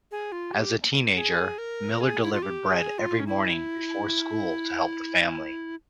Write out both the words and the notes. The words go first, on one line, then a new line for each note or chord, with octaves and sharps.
As a teenager, Miller delivered bread every morning before school to help the family.
G#4
F4
G4
G#4
A#4
G#4
E4
F4
G4
G#4
F4
C#4
E4